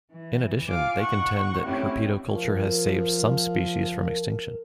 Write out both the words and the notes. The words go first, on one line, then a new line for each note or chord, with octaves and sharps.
In addition, they contend that herpetoculture has saved some species from extinction.
E3
F4 F5 G#5 D6
D#4 F#5 C#6
A3 C4 C#4 D#4 E4 G4
F3 A#4
A#4